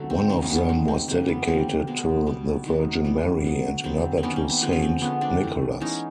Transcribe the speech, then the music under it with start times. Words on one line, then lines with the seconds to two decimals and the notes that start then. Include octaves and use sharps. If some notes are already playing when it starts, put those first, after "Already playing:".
One of them was dedicated to the Virgin Mary, and another to Saint Nicholas.
Already playing: D3 F#3 A3
0.10 C4
0.29 D#3 F#3 B3 C4
0.42 B3 C#4
0.56 B3
0.69 D#3 G#3 B3 C4
0.88 C4
1.08 C#3 F#3 A#3 C4
1.28 B3
1.48 D3 F3 A#3 C4
1.87 B2 G#3 B3
2.26 B2 G3 B3
2.66 D#3 F#3 B3
3.05 E3 G3 B3
3.44 D3 F#3 B3
3.84 D3 F#3 B3 C4
4.17 C4
4.23 D#3 G3 A#3 B3 C#4
4.36 C4
4.50 B3
4.62 D3 F3 G#3 B3 C4
4.73 C#4
4.82 C4
5.02 D3 F3 G#3 B3 C#4
5.21 C4 D4
5.41 E3 A3
5.80 E3 G#3 B3 C#4 D#4